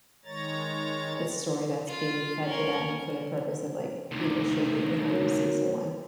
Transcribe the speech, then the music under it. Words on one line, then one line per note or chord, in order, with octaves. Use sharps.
a story that's being fed to them for the purpose of, like, you know, shaping how you see someone.
D#3 G#3 C#5 A#5 A6
F4
C#4 A#4
D2 C3 D#4
F#4 A#4 C#5